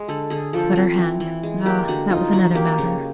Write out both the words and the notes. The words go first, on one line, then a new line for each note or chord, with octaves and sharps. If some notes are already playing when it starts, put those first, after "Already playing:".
But her hand--ah, that was another matter.
Already playing: G#3
D3 A4
D3 G#4
F3 A4
C4
E3
E3
G#3
A#3 G4
D3 F#4
D#4 F4
F#3 F#4
A#3 G4
C#3 C#5